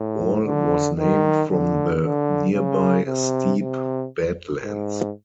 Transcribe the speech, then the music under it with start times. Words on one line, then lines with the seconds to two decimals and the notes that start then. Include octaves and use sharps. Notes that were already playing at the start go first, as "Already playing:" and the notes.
Wall was named from the nearby steep Badlands.
Already playing: A2
0.44 D3
0.97 D#3
1.49 D3
2.02 D3
2.54 C#3
3.07 C3
3.60 C3
4.64 G#2